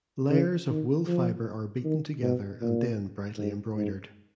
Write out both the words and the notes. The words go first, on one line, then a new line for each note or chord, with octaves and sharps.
Layers of wool fibre are beaten together and then brightly embroidered.
C#3
D#3
F3
D#3
B2
A#2
G#2
G#2